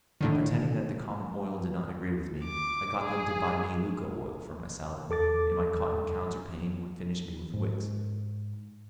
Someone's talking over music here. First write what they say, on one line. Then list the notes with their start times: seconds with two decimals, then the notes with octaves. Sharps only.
Pretending that the common oil did not agree with me, I got them to buy me Lucca oil for my salad, and my cotton counterpane would furnish me with wicks.
0.21 A2 D3 D#3
2.44 D6
3.00 G#4
5.10 E2 A4 D6 A6
7.54 G#2